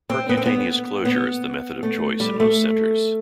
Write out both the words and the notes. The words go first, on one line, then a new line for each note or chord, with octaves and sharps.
Percutaneous closure is the method of choice in most centres.
C4
B3
C4
B3
B3
A3
G3
A3